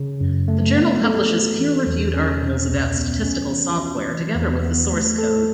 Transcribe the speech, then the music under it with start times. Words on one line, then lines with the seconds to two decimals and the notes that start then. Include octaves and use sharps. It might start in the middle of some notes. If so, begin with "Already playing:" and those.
The journal publishes peer-reviewed articles about statistical software, together with the source code.
Already playing: C#3
0.21 F#2
0.48 A3
0.76 B3
1.04 A4
1.31 F#4
1.59 E3
1.86 E2
2.14 C#4
2.42 B2
2.70 C#2
2.97 B3
3.25 C#4
3.52 E3
3.80 F#4
4.07 E3
4.35 E2
4.63 B3
4.91 A3
5.18 A4